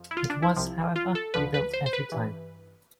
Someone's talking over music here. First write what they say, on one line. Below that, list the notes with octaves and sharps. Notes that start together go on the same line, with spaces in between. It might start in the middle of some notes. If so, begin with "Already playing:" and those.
It was, however, rebuilt every time.
Already playing: F2 F3
E4
F4
D4
E4
C2 C3 F3
F4
A4
D2 D3 F3 B4
B4
C5
C5
B4
G2 E3